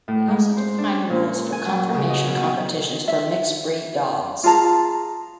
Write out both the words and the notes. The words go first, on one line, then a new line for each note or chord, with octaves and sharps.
They also defined rules for conformation competitions for mixed-breed dogs.
A2
G#3
C5
D4
C#4
A#2
G#5
F#3
C#3
D#5
B2
E5
F4 G#4 A5 A#5